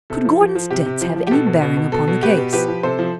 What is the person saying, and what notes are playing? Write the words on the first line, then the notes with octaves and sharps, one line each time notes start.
Could Gordon's debts have any bearing upon the case?
C3 A4
F3
F3
F3
C3 G4
C3
F3
F3
G4
B2 A4
B2
B2
B2
B2 A4
B2
B2 G4 B4
B2
F3 G4 B4
F3
C3 A4 C5
F3